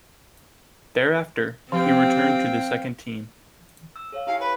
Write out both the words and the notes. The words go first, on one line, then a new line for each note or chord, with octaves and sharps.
Thereafter, he returned to the second team.
F3 C4 G4 F5 G5
E6
A4 C#5 F5
E4 G4 F5 G#5
B4 C#5